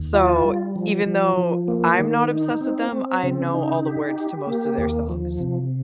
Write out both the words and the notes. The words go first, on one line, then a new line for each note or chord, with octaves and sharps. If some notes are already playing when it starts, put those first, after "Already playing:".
so, even though I'm not obsessed with them, I know all the words to most of their songs.
Already playing: D#2
F4
G3
F3
F3
F3
A#3
D#3
D#4
C4
C4
C#3
D#4
G4
G4
A#3
D#2
F3
C3